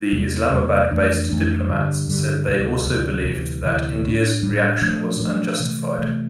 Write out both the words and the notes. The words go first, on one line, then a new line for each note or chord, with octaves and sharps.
The Islamabad-based diplomats said they also believed that India's reaction was unjustified.
E2 C3 G3 A#3
E2 C3 G3 A#3
F2 E3 A3 D4
F2 E3 A3 D4
G2 D3 G3
G2 D3 G3
D2 C3 G3
D2 C3 G3
D2 C3 E3
D2 C3 E3
A2 G3 D4
A2 G3 D4
A#2 F3 A3 D4
A#2 F3 A3 D4
C3 E3 A3
C3 E3 A3